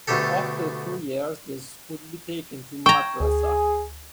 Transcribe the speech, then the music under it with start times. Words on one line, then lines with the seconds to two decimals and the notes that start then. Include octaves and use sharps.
After two years they could be taken to madrasah.
0.07 D2 B2 D4 G4 A4
2.86 G5 A#5 C#6 G#6 E7
3.20 D2 G#4